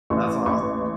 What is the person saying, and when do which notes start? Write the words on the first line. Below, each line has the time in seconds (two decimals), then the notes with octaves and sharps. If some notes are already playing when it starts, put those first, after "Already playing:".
That's awesome.
0.10 A1 C#6
0.46 A1 C#6